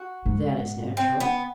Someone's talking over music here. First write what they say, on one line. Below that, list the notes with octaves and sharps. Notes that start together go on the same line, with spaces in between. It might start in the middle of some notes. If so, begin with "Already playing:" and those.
"That is natural."
Already playing: F#4
G#2
C4
B3